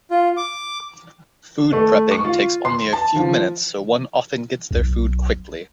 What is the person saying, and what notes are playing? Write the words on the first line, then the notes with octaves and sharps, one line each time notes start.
Food prepping takes only a few minutes so one often gets their food quickly.
F4
D6
A3
C#6
F4
C6
A5
F3
B1